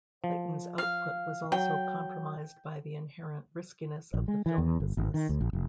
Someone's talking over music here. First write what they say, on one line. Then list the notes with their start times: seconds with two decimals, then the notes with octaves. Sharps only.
Clayton's output was also compromised by the inherent riskiness of the film business.
0.24 F3
0.78 F5
1.52 F#3 G5
4.14 A#1
4.28 G#3
4.46 E3
4.58 E2
4.80 G1
4.97 G#1
5.14 D#3
5.29 D2
5.41 A#1
5.53 F1